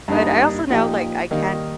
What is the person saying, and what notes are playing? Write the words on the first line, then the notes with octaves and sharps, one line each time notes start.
but I also know, like, I can't
G2 G3 A#3 D#4
A#2 F3 D#4 G4
D#3 G3 A#3 D#4